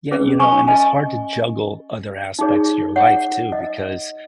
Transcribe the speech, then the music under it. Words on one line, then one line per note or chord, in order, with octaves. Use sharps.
Yeah, you know, and it's hard to juggle other aspects of your life too because,
C#4 G#4 B4
G#5 C#6
D#5 G#5
D#4 G#4 C#5
C#5 F#5
D#5